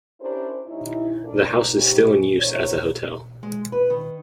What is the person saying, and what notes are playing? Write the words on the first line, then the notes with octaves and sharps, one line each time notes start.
The house is still in use as a hotel.
C#4 D4 E4 G4 A#4 C5
D#2 C#4 D#4 E4
G#2 D4 F4 A4 A#4
G#2 C#3 D#4 G4
E2 A2 D3 A#4 C5 C#5
G#3
B4
D#3